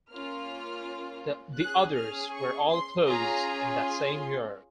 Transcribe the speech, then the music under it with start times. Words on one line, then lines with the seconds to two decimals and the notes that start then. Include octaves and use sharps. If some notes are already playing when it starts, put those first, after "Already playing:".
The others were all closed in that same year.
0.11 A#3 C#4 F4 F6
1.58 C#4 G#4 F#6
1.95 F6
2.32 C#6
2.69 C6
3.05 C#4 F4 G#4 A#5
3.79 C6